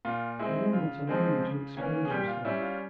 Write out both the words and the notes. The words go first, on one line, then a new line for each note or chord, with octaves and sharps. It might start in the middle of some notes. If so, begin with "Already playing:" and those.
"I will not allow you to expose yourself."
A#2 F4
G#3 C4 E4
C#3 F4
F3 G#3 C4
C#3
E3 A#3 C#4
G#4
A#2 G3 G4
F4
G3 C#4 E4
F4